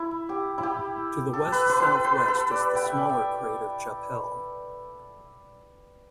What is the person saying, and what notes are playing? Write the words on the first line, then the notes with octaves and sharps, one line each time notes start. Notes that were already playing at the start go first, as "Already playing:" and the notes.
To the west-southwest is the smaller crater Chappell.
Already playing: E4
G4
E4
G4
A4
B4
B4
B4
A4
B4
A4
D5
G5
E5
D5
E5